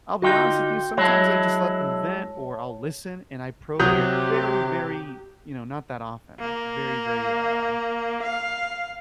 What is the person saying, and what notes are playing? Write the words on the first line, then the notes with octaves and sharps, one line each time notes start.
I'll be honest with you, sometimes I just let them vent or I'll listen and I probe, but very, very, you know, not that often. Very, very, uh,
D3 D#4 F4 F#4 G5 G6
F#3 G#3 E4 C#5 A5
C3 F#3 G4 D#6 F#6 G6
A#3
F5